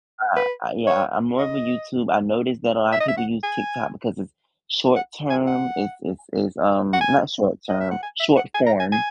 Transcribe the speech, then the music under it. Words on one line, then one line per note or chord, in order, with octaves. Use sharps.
uh uh Yeah, I'm more of a YouTube I noticed that a lotta people use TikTok because it's short-term, it's it's it's, um not short-term, short-form,
B4
C#5
D#5
E5
D#5
E5
F#5
G#5
F#5
G#5
F#5
F#5
G#5
D#5
E5
F#5
G#5
E5
F#5
G#5
A#5
G#5
G#5